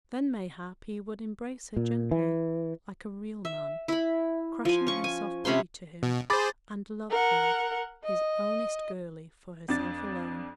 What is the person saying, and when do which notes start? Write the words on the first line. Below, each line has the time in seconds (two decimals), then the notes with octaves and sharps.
Then mayhap he would embrace her gently, like a real man, crushing her soft body to him, and love her, his ownest girlie, for herself alone.
1.77 A#2
2.11 E3
3.45 E5
3.88 E4 B5
4.65 F3 G#5
4.87 C#4 C#6
5.04 G#5
5.45 C3 C#4 B5 C6
6.03 B2
6.30 G#4 C5 B5 D6 A6
7.10 A#4 F#5
8.04 D#5
9.68 F2 D4 A6